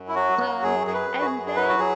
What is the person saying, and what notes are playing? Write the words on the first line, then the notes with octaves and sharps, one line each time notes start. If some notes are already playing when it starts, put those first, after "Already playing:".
Um, and then
Already playing: F#2
E4
F#3 F#4
F#3
F#2 G#4
F#2 G#4
B4
F#2
F#4
G#4
F#2
G#4
F#3 B4
F#4
F#3 G#4